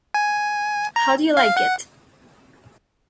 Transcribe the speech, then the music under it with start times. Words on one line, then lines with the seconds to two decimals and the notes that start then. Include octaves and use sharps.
How do you like it?
0.14 G#5
0.96 A#5
1.37 F5
1.57 F#5